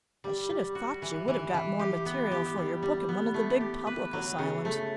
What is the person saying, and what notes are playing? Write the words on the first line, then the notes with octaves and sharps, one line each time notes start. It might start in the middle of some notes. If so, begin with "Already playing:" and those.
I should have thought you would have got more material for your book in one of the big public asylums.
G3
G3
F#4
E3
E3
E3
G4
B3
G4
G3
G3
B3
A3
G4
B4
F#3
C#3
A3